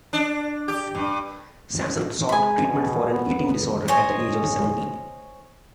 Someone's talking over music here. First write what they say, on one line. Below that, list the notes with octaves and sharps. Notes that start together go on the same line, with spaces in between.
Samson sought treatment for an eating disorder at the age of seventeen.
D4
G4
G2
G#3 G#5 B5
B2
B3
C5 C#5 D#5 G#5